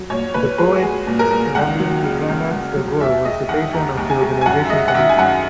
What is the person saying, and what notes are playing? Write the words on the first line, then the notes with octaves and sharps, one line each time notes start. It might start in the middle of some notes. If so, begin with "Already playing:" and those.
The poet Rabindranath Tagore was the patron of the Organisation Committee.
Already playing: F#3
A#2 C#5
A#2 B4
G#3 B4
F#4
G#3 G#4
A#2
A#4
A#2
C#2 F#5
F#3
C#3
C#2
C#2
F#3
D#2 E5
G#3 D#5
D#3 F#5
D#2 A#5
D#2
G#5
G#3
G#5
F#2 F#5
E5
G#3 D#5
F#5
D#3 E5
G#5
F#2 F#5